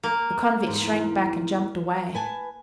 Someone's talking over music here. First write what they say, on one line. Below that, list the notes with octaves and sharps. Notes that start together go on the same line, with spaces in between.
The convict shrank back and jumped away.
A#3
E2 G#2
B4 G#5 A5